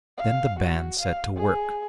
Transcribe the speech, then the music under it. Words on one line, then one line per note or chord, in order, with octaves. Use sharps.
Then the band set to work.
F5
F#4
F5
G#4